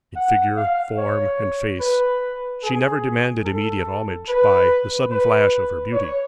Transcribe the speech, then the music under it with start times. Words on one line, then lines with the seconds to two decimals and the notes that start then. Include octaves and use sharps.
In figure, form, and face she never demanded immediate homage by the sudden flash of her beauty.
0.16 F#5
0.57 F5
0.98 C#5
1.80 B4
2.63 G#4
3.45 A4
4.29 B4
5.11 B4
5.93 C#5